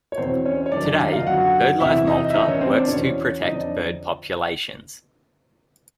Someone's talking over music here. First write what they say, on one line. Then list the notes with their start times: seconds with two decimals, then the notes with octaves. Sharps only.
Today Birdlife Malta works to protect bird populations.
0.12 C#5
0.18 E2 B2 C4 C5
0.45 C#4 C#5
0.66 C#5
0.72 F#2 D#3 D4 D5
0.85 D4 D5
0.99 D#4 D#5
1.13 F4 F5
1.26 F#2 D3 F#4 F#5
1.80 E2 C3 E3 E4 E5
2.07 D#4 D#5
2.30 E5
2.34 A2 E3 D#4 D#5
2.48 C#4 C#5
2.61 C4 C5
2.75 D4 D5
2.88 E2 B2 C#4 C#5
3.42 F2 D3 D#4 D#5
3.55 D4 D5